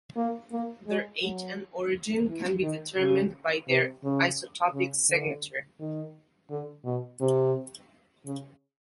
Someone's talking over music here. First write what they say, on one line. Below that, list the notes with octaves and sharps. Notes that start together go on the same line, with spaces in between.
Their age and origin can be determined by their isotopic signature.
A#3
A#3
G#3
F#3
E3
D#3
C#3
C3
C#3
C#3
D3
D#3
D3
B2
C3
C#3